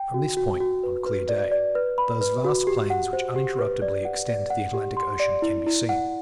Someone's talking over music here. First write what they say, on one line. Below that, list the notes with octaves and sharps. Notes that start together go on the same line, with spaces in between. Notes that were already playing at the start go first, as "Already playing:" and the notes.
From this point, on a clear day, those vast plains which uninterruptedly extend to the Atlantic Ocean can be seen.
Already playing: G5
F#4
F#4
F#4
B4
B4
D5
D5
B4
B5
B4
F#4
G4
F#5
C5
G4
B4
D5
F#5
D5
F#5
G4
C6
D5
E4
E4
F#5